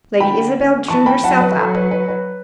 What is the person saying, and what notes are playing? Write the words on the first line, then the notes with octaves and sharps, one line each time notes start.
Lady Isabel drew herself up.
D3 G5 B5
E3 A5 C#6
G5 B5
F#3 F#5 A5
B4
F#3 A4
B4
B4
B4